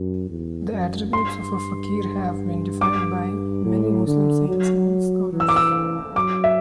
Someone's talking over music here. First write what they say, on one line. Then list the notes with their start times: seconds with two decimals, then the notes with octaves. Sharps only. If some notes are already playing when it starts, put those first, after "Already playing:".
The attributes of a fakir have been defined by many Muslim saints and scholars.
Already playing: F#2
0.29 E2
0.71 F#2
1.13 G2 C6
2.81 D6
3.65 A2
4.07 D3
4.48 F#3
5.32 E3
5.40 E6
5.49 D6
5.56 E6
6.15 F#3 D6
6.44 E5